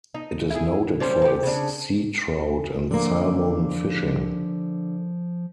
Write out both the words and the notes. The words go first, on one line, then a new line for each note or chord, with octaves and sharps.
It is noted for its sea trout and salmon fishing.
D#4
E4 G#4
G3 C4 C#4
C4 G4
C#3 D4
D3 F3 A#3